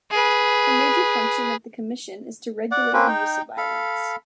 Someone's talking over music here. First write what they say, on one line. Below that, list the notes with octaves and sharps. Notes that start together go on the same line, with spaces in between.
A major function of the Commission is to regulate the use of violence.
G#4 B4
D5 F#5
A#3 C4 C#4 B4
D#4 G5
A4 F5 B5